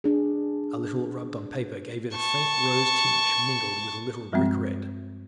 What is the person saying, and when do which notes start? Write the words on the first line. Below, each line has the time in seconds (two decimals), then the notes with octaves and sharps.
A little rubbed on paper gave it a faint rose tinge mingled with a little brick-red.
0.04 D4 G#4
2.16 A5 C#6
4.32 G2 F3 G3 G#3 C4